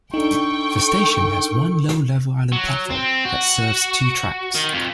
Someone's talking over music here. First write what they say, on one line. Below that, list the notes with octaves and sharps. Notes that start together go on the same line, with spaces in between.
The station has one low-level island platform that serves two tracks.
D4 D#4 A4 G5 C#6
F#3
C4
F#4
D#3
F2